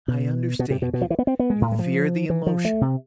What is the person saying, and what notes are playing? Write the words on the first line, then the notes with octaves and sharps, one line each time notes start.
I understand you; you fear the emotion.
B2
B2
C3
B2
B2
F3
E3
B3
C4
B3
G#3
A2
G#3
F3
E3
F3
A3
C3